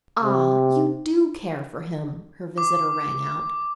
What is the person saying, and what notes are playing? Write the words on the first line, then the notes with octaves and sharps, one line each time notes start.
"Ah, you do care for him!" her visitor rang out.
C3
D6